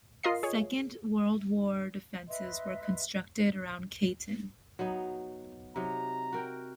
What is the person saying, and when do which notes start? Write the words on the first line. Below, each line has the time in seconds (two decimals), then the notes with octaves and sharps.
Second World War defences were constructed around Cayton.
0.23 F4 A#4 D#5 F5 C7
0.43 G#4 C#5
2.27 B4 D#5 E5 C6
4.79 F#3 B3 D#4
5.76 C3 F#3 D#4 A#5
6.32 F#4 A#4 G5